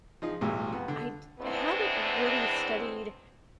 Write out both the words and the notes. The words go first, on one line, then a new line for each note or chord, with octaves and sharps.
I d haven't really studied
F3 D#4 G#4
B1 E2 A2 G3 G#3
F2 B3
D3
E2 G#2 E3 B3 C4 D4